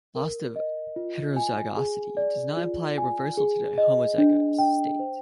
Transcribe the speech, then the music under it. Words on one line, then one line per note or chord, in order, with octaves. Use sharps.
Loss of heterozygosity does not imply a reversal to the homozygous state.
A#4
D#5
F4
G#5
G#4
D5
F4
G#5
G#4
D#5
D4
G5
C5